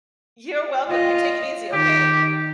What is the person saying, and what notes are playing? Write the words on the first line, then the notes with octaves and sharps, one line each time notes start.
You're welcome, you take it easy, okay?
F4 D#5
D#3 G4